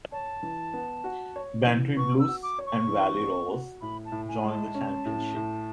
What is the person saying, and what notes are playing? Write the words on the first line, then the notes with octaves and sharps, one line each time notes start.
Bantry Blues and Valley Rovers joined the championship.
C#5 A5
E3
B3
F#4
C#5
E3
B3 C#6
E6
F#4
D6
C#5
C#6
E3
B3
F#4
A2 B5
A5
A2
G#5
G#3
A5
C#4
A2
A2